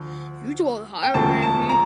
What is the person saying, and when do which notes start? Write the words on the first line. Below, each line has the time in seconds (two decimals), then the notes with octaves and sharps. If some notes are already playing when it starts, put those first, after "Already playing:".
You do all the hiring around here.
Already playing: D2 D3 F3
1.03 G5
1.14 E1 D2 C#3 F3 A3 A5
1.42 A5
1.69 A#5